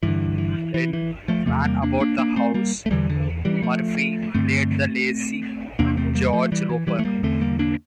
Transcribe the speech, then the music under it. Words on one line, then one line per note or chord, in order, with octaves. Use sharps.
In "Man About the House", Murphy played the lazy George Roper.
G2 D3 E3
E3
E3
E3
F3 A3
E2 C3 F3 A3
G3 A#3
A#3 D4
A#3 D4
A#3 D4
A3 C4
G3 A#3
A3
E2 D3 E3 G3
D3
E3 G3
F3 A3
G2 D3 A3 C4
E2 C3 A#3 D4
A3 C4
G3 A#3
F3 A3
E3 G3
E3
E3 G3
A3
G3 A#3
E2 D3 A3 C4
G3 A#3
A#3 D4